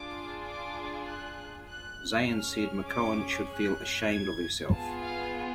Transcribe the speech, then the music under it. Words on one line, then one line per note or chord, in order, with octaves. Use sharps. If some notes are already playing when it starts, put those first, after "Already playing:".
Zayn said McMahon should feel ashamed of herself.
Already playing: D4 F4 G#4 D6
D6
F#6
F#6
C#4 G#4 F6
D6
F#6
G#6
B3 F4 G#4 A5
F5